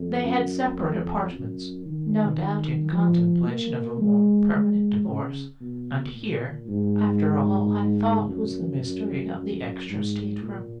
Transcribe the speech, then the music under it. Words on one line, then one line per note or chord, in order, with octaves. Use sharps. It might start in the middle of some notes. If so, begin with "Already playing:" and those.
They had separate apartments--no doubt in contemplation of a more permanent divorce; and here, after all I thought was the mystery of the extra state-room.
Already playing: F2
F#2
F2
F#2
D#3
F3
A#3
G#3
G#3
C#3
B2
A#2
G#2
F#2
F#2
F#2
G#2
A#2